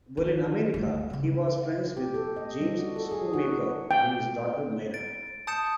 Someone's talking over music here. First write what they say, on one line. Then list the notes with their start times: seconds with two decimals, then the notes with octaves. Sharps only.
While in America, he was friends with James Schoonmaker, and his daughter Myra.
0.17 D#3
0.74 D2 G2
1.10 C#3 C4
1.97 G4
2.14 A4
2.36 D#5
2.61 G3
2.78 F#4
2.96 A4
3.11 G#4
3.33 F#4
3.53 E4
3.91 G5
4.94 A6 D7
5.47 A5 D#6 G6 A6 C#7 E7